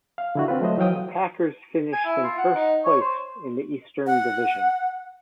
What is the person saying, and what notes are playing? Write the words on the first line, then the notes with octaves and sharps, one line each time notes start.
The Packers finished in first place in the Eastern Division.
F5
D3 E4 F#4
C4 F4 B4
F#3 A3 C5 D#5
E3 F#3 F5 G5 D#6
G#5
E4
F4
F#5
D#4
C#5
C5
F#5